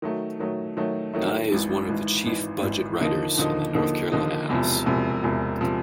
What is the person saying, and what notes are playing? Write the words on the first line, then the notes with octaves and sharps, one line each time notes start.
Nye is one of the chief budget writers in the North Carolina House.
D#3 F#3 A3
D#3 F#3 A3
D#3 F#3 A3
D#3 F#3 A3
G#1 G#2 E3
G#1 G#2 E3
G#1 G#2 E3
G#1 G#2 E3
D#2 D3 F3 A#3 D#4
D#2 D3 F3 A#3 D#4
D#2 D3 F3 A#3 D#4
D#2 D3 F3 A#3 D#4
E1 E2 C3 F3
E1 E2 C3 F3
E1 E2 C3 F3
C3 F3